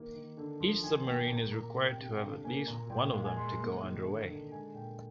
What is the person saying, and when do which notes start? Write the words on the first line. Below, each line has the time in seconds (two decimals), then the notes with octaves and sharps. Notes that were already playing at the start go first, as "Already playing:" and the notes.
Each submarine is required to have at least one of them to go underway.
Already playing: D#3 A#3
0.15 D#3
0.37 D3
0.60 F3
0.83 D#3 G#5
1.06 A#3 G5
1.29 A#2 A#5
1.52 A#2 A#5
1.75 C3 A#5
1.86 G5
1.98 C3 G5
2.09 G5
2.22 D3 F5
2.44 A#3 G#5
2.67 A#2 A#5
2.90 A#2 G5
3.13 G#3 F5
3.25 G#5
3.36 G#3 C6
3.48 A#5
3.60 A#3
3.82 D#3
4.05 D3
4.29 D3
4.51 G#3 G#5
4.74 A#2 G5